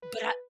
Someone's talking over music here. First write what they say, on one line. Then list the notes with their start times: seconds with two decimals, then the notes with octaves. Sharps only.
but, ah
0.02 B4